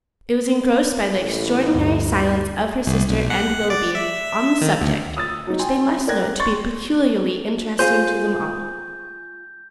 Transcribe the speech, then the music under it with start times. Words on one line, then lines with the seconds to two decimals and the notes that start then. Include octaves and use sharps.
It was engrossed by the extraordinary silence of her sister and Willoughby on the subject, which they must know to be peculiarly interesting to them all.
1.16 A1
1.74 D2 G2
2.87 C2
3.10 B1
3.30 F#5
3.70 D5
3.95 E5
4.62 D#3
4.81 D2
5.16 D#6 E6 A6
5.47 F#3 D#4
5.59 G5 G#5 C6
6.07 A#4 D5 G5 F#6 G#6 A#6
6.40 C6 C#6 A6
7.79 F4 G#4 C5 G6